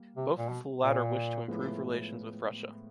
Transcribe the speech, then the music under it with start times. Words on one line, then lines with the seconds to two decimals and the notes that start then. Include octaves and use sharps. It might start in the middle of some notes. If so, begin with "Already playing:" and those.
Both of the latter wish to improve relations with Russia.
Already playing: G3 A#3
0.17 C3
0.38 A#2
0.50 B2
0.82 A#2
1.48 A2 F3 G#3 B3 E4